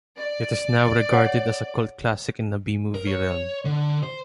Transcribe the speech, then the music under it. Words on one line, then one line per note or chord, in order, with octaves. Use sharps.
It is now regarded as a cult classic in the B movie realm.
D5
G#4 C#5 F#5
A#4
C#5
D3
C5